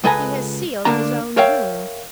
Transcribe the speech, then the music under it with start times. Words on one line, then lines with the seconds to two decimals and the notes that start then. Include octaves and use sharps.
He has sealed his own doom.
0.04 C#2 G#3 A4 B4 G#5 A#5
0.85 D2 D3 A#3 D4 A#5
1.37 A#4 C#5 E5 F5 G5